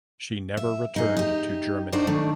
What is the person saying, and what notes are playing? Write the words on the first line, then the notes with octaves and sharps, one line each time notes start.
She never returned to Germany.
E5
D#4 G#4
D#4 G4
D4 D#4 F#4 C5 D5
D#3 A3 D4